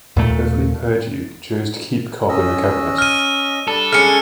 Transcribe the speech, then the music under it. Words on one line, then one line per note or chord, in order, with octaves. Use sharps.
Beverly Perdue chose to keep Cobb in her cabinet.
D#2 A#2 A3
C#4 D#5 E6
F6 D#7
G3 D4 A4
G#3 C#4 F6 C#7